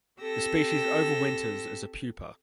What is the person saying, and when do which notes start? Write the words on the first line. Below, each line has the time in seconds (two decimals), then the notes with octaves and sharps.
The species overwinters as a pupa.
0.20 C4 G4 A4 E6 A#6